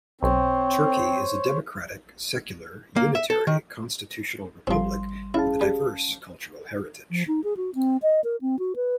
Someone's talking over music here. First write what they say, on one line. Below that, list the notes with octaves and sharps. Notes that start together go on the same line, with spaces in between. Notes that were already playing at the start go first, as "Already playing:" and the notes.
Turkey is a democratic, secular, unitary, constitutional republic with a diverse cultural heritage.
B1 C4 C5 C#5
A#3
E5
A4
D#3
G#1 F3 G3 C4 C6
C#4 E4 G#4 F5 A5
G3
F3
D#4
G#4
F#4
C4
D#5
A#4
C4
F#4
B4